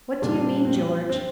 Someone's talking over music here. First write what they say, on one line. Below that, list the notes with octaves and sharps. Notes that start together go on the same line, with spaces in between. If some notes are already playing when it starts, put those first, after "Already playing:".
"What do you mean, George?"
A#2 G3 D4
C4
C4